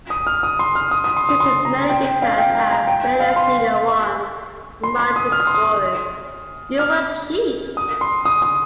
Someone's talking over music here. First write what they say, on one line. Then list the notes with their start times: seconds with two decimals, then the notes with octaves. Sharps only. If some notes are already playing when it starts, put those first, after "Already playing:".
This is mainly because, as Fearless Leader once remarked to Boris: You work cheap.
0.10 D#6
0.27 F6
0.43 D#6
0.59 C6
0.75 F6
0.91 D#6
1.04 D#6
1.17 C6
1.29 D#6
1.40 C6
1.65 A#5
1.90 G5
2.06 G5
2.22 F5
2.38 G5
2.50 G5
2.55 A#5
2.71 A#5
2.88 G5
3.04 G5
3.20 F5
3.36 C6
4.84 C6
4.99 C6
5.16 D#6
5.32 F6
5.40 D#6
5.47 C6
5.54 D#6
6.79 F6
7.77 D#6
8.01 C6
8.25 D#6
8.42 D#6